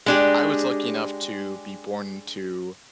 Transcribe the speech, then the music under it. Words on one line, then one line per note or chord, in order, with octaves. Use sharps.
I was lucky enough to be born to
G#3 D4 G4